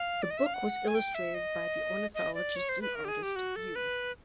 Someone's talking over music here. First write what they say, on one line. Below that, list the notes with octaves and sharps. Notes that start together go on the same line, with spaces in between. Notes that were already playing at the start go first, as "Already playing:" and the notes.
The book was illustrated by the ornithologist and artist Yu.
Already playing: F5
D5
D#5
E5
F5
F#5
G#5
G5
E5
D#5
D#5
D5
C#5
C5
B4
A#4
G4
G#4
G4
F#4
A4
B4